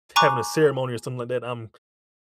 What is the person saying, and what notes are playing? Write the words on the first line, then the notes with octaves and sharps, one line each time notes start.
t having a ceremony or something like that, I'm
G#5 A#5 C#6 D6 F#6